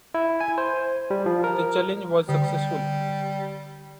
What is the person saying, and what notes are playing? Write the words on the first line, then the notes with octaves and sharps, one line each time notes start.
The challenge was successful.
E4
G#5
C5
G3
F3
A#4
D3 G3